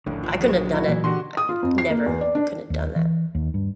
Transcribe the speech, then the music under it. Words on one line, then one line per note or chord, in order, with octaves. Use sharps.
I couldn't have done it. I never couldn't have done that.
D#1 A#1 A2 D3
F3 D4
F#3 G#3
E4 F#4
A#2 E3
D3 F#4 G4 C6
D#6
F4
F2
C7
A#3
E2
D5
D4
D#2
E3
D#2
G2